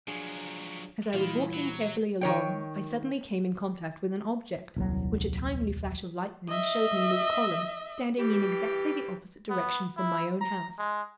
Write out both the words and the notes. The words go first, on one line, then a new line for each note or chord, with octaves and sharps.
As I was walking carefully along, I suddenly came in contact with an object, which a timely flash of lightning showed me was a column, standing in exactly the opposite direction from my own house.
F3 F#3 D4 G#4
A#2 D#3 E3 G3 E4 F4
F#3
D#3 C#5 G5
D#1 C2 F#3
D#5 E5
E3 G3 G4
B3
E4
A#5
G#3